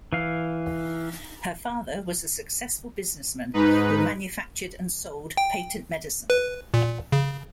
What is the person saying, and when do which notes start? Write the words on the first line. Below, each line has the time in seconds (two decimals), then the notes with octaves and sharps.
Her father was a successful businessman who manufactured and sold patent medicine.
0.13 E3 F5
3.54 G#2 D#4 B4
5.37 G5
6.30 B4
6.74 A#2
7.12 C#3